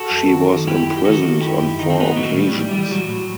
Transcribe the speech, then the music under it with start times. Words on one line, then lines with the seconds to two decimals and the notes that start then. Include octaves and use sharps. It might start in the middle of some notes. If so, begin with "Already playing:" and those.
She was imprisoned on four occasions.
Already playing: F#4 A4
0.11 F#2
0.30 D#3
0.49 D#3
0.67 F#2 E4 G4
0.86 F#2
0.97 G4
1.04 D#3 F#4 A4
1.23 D#3
1.41 F#2 E4 G4
1.61 F#2
1.78 D#3 D#4
1.90 C4
1.98 D#3 B3 D#4
2.16 A2 F#3 A3
2.35 A2 G3
2.53 E3 G3
2.71 E3 G3
2.85 G3
2.91 A2 F#3
3.09 A2